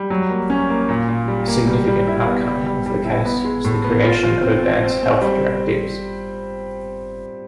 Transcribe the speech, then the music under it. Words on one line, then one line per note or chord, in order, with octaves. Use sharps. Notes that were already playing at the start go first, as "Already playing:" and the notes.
A significant outcome of the case was the creation of advance health directives.
Already playing: G3
F#3
A#3
C#4
A#3
A#2
A#2
G3
A#3
G3
G3
E4
B3
G3
G3
G3
E4
B3
G#3
A2
B3
F4
F4
C4
C4
C4
C4
G3